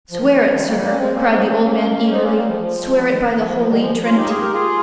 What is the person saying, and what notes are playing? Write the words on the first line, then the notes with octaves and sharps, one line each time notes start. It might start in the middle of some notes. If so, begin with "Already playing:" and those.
"Swear it, sir," cried the old man eagerly--"swear it by the Holy Trinity."
F3
D#3
D#3
F3
D#3 G3
G3 A#3
G3 A#3
C#4
G#3 C4
A#3 C#4
C4 D#4
C#4
C4
A#3 C#4
C#4
C4 D#4
A#3 C#4
G3 A#3
F3 G#3
F3
G#3
G3
F3
D#3
D#3
F3
F3
D#3 G3
F3 G#3
C#4 F4
D#4 G4
F4 G#4
G4 A#4
F4 G#4